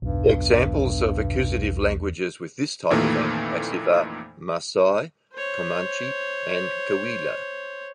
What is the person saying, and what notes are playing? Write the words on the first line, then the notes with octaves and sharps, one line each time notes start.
Examples of accusative languages with this type of antipassive are Maasai, Comanche and Cahuilla.
B1 E2 G2
F2 A#2 D#3 E3 A3 A#3
C5 C#5